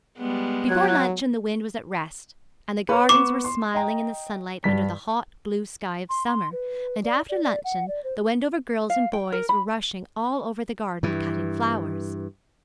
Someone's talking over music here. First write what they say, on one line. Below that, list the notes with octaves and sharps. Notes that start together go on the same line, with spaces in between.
Before luncheon the wind was at rest, and the gardens were smiling in the sunlight under the hot blue sky of summer, and after luncheon the Wendover girls and boys were rushing all over the garden cutting flowers.
G3 G#3 B3
F#3 F#4 F#6 G#6
B4 C#5 C#6
B3 C#6 D6 E7
C6
D#5 G5 A#5
G2 B6
C6
C6
B4
D5
D5
D5
F#5
D5
C5
F5
G5
A#4
B5
G2 E3